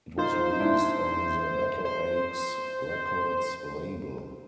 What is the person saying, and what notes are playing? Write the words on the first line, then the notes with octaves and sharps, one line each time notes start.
It was released on the Battleaxe Records label.
D#4 F4 C5
D#4
D4 E4
C5